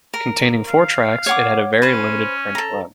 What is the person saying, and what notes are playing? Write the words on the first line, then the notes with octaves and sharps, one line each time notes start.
Containing four tracks, it had a very limited print run.
A#4
F5
C#5 F#5 D6
C#4 B4 C5
A4 A#5